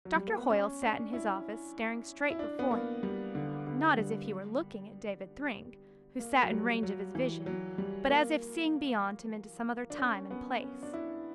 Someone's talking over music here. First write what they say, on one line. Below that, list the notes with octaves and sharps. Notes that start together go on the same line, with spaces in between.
Doctor Hoyle sat in his office staring straight before him, not as if he were looking at David Thryng, who sat in range of his vision, but as if seeing beyond him into some other time and place.
F#3
G3
A#3
B3
C#4
D4
E4
E4
D4
B3
A#3
G3
D3
D3
G3
A#3
F#3
G3
F#3
E3
F#3
G3
A#3
D4
C#4
B3
C#4
D4
E4